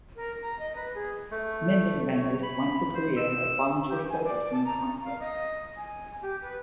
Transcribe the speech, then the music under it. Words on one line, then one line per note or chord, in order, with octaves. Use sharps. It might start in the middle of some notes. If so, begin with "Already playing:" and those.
Mindan members went to Korea as volunteer soldiers in the conflict.
A#4
A#5
D#5
B4
G#4
A3
C#5
B5
C5
E6
G4
G#5
D5
A5
A#5
F5
D#5
G#5
G4
B4